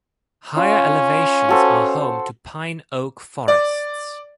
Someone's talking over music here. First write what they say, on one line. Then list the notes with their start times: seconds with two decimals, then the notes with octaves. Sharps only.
Higher elevations are home to pine–oak forests.
0.57 C#4 F4
1.49 F#4 A4 C5
3.48 D5